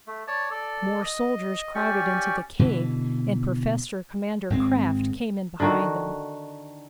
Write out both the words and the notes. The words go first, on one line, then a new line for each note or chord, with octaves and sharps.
More soldiers crowded into the cave, and Professor-Commander Krafft came in behind them.
A3
C#5 D5 A5
A4 D5
D#5
C#4 G4 D5 C#6
B2 D3 E3
G#1 G#3 C4
D3 D#3 F#4